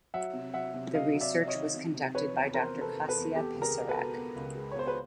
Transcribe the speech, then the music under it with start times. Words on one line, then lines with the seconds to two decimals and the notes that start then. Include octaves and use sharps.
The research was conducted by Doctor Kasia Pisarek.
0.14 F#3 E5 F#5
0.34 C3
0.54 F#3 E5 F#5
0.74 C3
0.94 F#3 D#5 F5
1.15 F#3
1.21 D5 E5
1.35 C3
1.48 C#5 D#5
1.54 D#3
1.74 C3
1.94 C3
2.15 F3 B4 C#5
2.34 E2
2.54 E2 A#4 C5
2.75 C3
2.81 A4 B4
2.95 E2
3.08 A4 B4
3.15 E2
3.35 B3 G4 A4
3.55 C#2
3.62 G#4 A#4
3.75 B3
3.89 A4 B4
3.95 B2
4.16 B3
4.36 C#2
4.55 G#3
4.71 C#5
4.76 B3 C5
4.87 B4